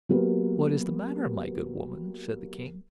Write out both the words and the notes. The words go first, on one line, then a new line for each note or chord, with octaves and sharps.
"What is the matter, my good woman?" said the King.
F#3 A#3 B3 G4 A#4 B4